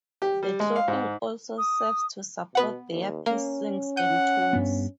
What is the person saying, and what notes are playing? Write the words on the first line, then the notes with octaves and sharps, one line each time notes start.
The clothing also serves to support their piercings and tools.
G4
G3
G#3
F5
G#2
D#6
B2 B3 B4 F#5
D#2
A#3 C#4
F#5 G6 D#7
G2 B3